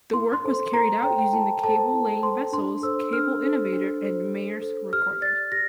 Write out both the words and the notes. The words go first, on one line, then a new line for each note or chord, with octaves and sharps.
The work was carried out using the cable-laying vessels "Cable Innovator" and "Maersk Recorder".
E4 C6
C6
A4 C5
C6
E4 A#5
A4 C5 G5
G5
E4 A5
A4 C5 A5
E4
A4 C5 C6
D4 C6
A4 C5 E6
D4 F6
A4 C5
D4
A4 C5
D4
A4 C5
G4 F6
D5 A6
G4 A#6